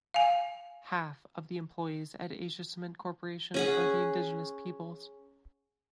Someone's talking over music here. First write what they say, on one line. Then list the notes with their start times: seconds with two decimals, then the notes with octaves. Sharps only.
Half of employees at Asia Cement Corporation are the indigenous peoples.
0.14 F5 G#5
3.54 C#4 G#4 F#5